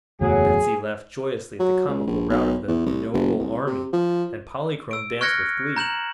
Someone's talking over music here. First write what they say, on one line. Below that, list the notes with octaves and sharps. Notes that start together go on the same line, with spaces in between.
Betsy laughed joyously at the comical rout of the "noble army," and Polychrome danced with glee.
F#1 E2 A2 F#3 G#4
F#3
C#2
A#1
B1
E2
C2
F#1
C2
C3
F3
E6 D7
C#6 F6 F#6 G#6 A#6 C#7
A#5 G6 E7 F#7